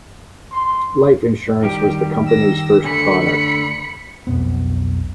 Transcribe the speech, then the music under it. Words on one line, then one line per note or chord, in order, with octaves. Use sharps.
Life insurance was the company's first product.
C6
D#3 G3 G4
E6 A#6
D3 A3 B5 C#7
B1 F2 B3